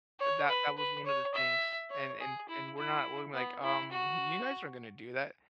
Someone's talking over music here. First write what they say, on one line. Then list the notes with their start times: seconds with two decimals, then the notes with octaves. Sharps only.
that that was one of the things and and and we're not we're gonna be like, "Um, you guys aren't gonna do that.
0.19 C#5
0.49 B4
0.77 B4
1.06 C#5
1.34 E5
1.90 C#5
2.20 G#4
2.48 E4
2.77 E4
3.33 B3
3.63 E4
3.91 F#4